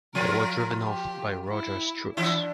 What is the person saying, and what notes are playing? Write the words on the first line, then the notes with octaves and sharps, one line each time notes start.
They were driven off by Rogers' troops.
F3 F4 A#4
G4
E4
E3 D4 E4